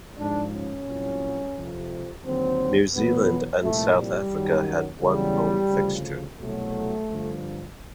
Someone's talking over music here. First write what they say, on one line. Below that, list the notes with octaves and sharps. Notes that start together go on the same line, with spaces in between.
New Zealand and South Africa had one home fixture.
G#2 F3 D4
C#4
C2 A#2 F#3
F2 C3 F3
D#2 D3 F#3 C4
E2 B2 F#3 B3
C2 A#2 F3 A3
G3
F#2 D#3 F#3
E2 C#3 F#3 G3
D2 C#3 F3
C2 B2 F#3 A3
G2 D3 F3